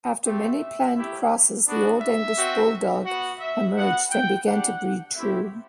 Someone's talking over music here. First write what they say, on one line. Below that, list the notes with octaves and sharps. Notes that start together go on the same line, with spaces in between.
After many planned crosses, the Olde English Bulldogge emerged and began to breed true.
A3 C4 G4 E5
A3 E4 G4
B3 D4 F#4
E5
C4 F#4
B3 F#4 F#5
E5
B3 F#4 F#5
G5
G3 D4 G4 F#5
A3 C4 E4 G4 E5